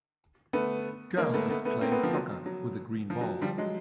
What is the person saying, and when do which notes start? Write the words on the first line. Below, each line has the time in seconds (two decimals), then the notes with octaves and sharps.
Girl is playing soccer with a green ball.
0.53 A3 B3
1.17 G#3 A#3
1.34 A3 B3
1.50 A3 B3
1.65 A3 B3
1.81 A#3 C4
1.92 A3 B3
2.03 F3
2.13 F#3
2.46 F#3
3.10 F3
3.21 F#3
3.42 F3 G3
3.58 F#3 G#3